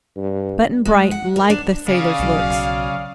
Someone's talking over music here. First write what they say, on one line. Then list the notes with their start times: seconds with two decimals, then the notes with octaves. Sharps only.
Button-Bright liked the sailor's looks.
0.16 G2
0.85 G#3
1.11 F#5
1.36 A#4
1.50 D4
1.88 C#3 G#4 D5 F5
2.20 B1 F#3